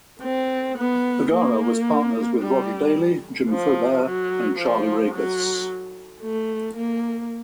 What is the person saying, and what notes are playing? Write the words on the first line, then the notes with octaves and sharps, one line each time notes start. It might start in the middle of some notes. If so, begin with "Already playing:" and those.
Vergara was partners with Roger Daley, Jim Fobair and Charlie Ragus.
C4
B3
A#3
G3
F3
F#3
F3
F#3
A3
A#3